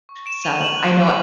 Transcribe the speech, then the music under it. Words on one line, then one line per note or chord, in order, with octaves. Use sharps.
so I know
C#6
C#6 D7 E7
E7
C#6 D#7 F7
C#6 E7 F#7
F#6
C#6